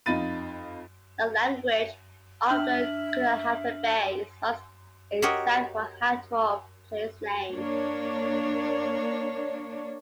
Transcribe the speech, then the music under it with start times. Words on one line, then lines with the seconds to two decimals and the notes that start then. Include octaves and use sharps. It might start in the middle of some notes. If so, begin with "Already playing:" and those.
The language of the Guanahatabey is lost except for a handful of placenames.
0.06 F2 D#4 F4 B5 A6 D#7
2.50 D4 E5 F6 F#7
5.22 F#4 G4 A#4 C#5 D#5
7.51 A#3 D4 C#5